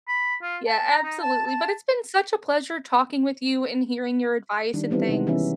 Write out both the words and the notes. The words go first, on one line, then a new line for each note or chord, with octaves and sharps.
Yeah, absolutely, but it's been such a pleasure talking with you and hearing your advice and things.
B5
F4
A5
A#5
D#4
A5
A5
D#3 G3 D4
E3 G3 B3 C4 E4
C3 G#3 D#4
E3 B3 C#4 E5